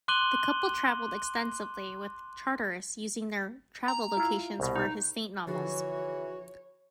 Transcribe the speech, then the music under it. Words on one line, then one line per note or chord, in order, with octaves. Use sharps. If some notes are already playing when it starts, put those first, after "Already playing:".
The couple traveled extensively, with Charteris using their travel locations for his "Saint" novels.
C6 D6 F#6 D#7 F#7 G7
A#5
E4 F4
C2 B2
D#4
D3 E3 F3 F#4 G#4 C#5